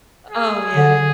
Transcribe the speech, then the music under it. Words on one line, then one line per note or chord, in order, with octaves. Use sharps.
Oh yeah.
G#4
D3